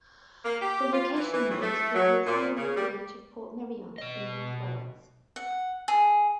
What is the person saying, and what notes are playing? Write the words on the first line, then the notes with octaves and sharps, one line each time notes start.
The location used was the Italianate village of Portmeirion in North Wales.
A#3
G4
F4
E3
E3
A2
A3
F#3
A#2
C#3
G3
B2 D#5
F#5
G#4